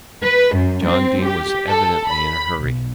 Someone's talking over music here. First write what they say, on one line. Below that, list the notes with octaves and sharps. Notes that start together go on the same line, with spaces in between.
John Dene was evidently in a hurry.
B4
F#2
C4
G4
A4
B5
B1